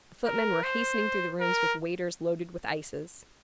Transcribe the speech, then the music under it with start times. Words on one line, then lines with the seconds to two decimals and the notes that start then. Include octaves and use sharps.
The footmen were hastening through the rooms with waiters loaded with ices.
0.26 A#4
0.64 C5
1.40 A#4